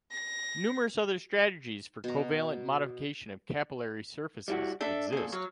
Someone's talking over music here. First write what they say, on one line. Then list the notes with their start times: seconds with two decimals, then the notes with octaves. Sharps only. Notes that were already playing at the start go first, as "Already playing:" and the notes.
Numerous other strategies for covalent modification of capillary surfaces exist.
0.11 A#6
2.04 B2 A#5
4.48 G3 E4 F#4
4.81 D4 A4 E5
5.12 D2 A#2 G#4 A4
5.32 F#3 C#5 F5